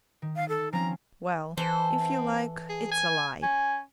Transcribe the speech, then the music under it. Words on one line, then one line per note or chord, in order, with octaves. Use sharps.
Well, if you like, it's a lie.
D#3
F5
A4
F3 C4 C#4 A#5
E3 A4 C5
C4
G#4
G#5
C#4 G#5